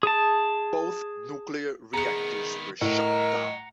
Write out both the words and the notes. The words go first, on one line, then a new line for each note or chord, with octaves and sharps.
Both nuclear reactors were shut down.
G#4 A5
D#3 B3 G#4 A#5 C#7
A2 A#4 D#5 F#5 A#5